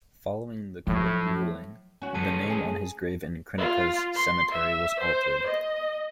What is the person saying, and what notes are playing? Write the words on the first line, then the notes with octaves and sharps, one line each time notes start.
Following the court ruling, the name on his grave in Krynica's cemetery was altered.
A2 F3 F#3
C#4 F#4
C#3 A3 C#4 A5 D#7
G#4
F4
C6
E5
C5
D#5